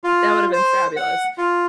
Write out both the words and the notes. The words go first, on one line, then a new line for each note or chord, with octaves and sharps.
That would have been fabulous.
F4
C5
F#5
F4